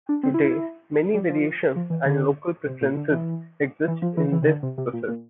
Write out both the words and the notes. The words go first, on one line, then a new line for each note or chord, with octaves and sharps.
Today many variations and local preferences exist in this process.
D4
C4
E4
E4
G3
F3
F3
E3
D3
C3
A#2
D3
E3
E3
F3
E3
E3
C3
D3
C3
C3
A#2
A#2